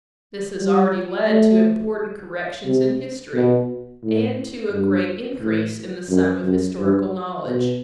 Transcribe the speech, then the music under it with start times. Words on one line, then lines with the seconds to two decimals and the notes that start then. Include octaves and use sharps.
This has already led to important corrections in history, and to a great increase in the sum of historical knowledge.
0.59 G3
1.28 A3
2.66 C3
3.34 B2
4.03 A2
4.72 G2
5.41 A2
6.10 F#2
6.44 F#2
6.79 G2
7.48 B2